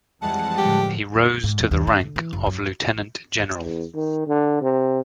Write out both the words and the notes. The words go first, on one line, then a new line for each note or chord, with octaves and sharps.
He rose to the rank of Lieutenant-General.
F2 E3 G3 G#3 F#5 A5
A2 D3 F3 G4
G#2
E2
D#2
D4
D3
E3
F#1
F#2
E2
D#3
D3
C3